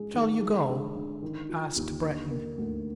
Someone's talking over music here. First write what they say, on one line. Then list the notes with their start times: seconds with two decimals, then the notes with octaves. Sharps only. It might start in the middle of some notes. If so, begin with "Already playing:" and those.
"Shall you go?" asked Breton.
Already playing: G#3 G#4
0.14 D#3
0.41 G#3
0.68 D3
0.95 D3
1.23 D#3
1.49 F4
1.76 D#2
2.03 D3
2.31 A#3
2.58 D2